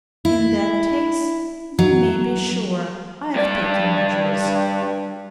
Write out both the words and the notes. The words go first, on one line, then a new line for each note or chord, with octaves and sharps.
In that case you may be sure I've taken measures.
E4
F#3
G2 D5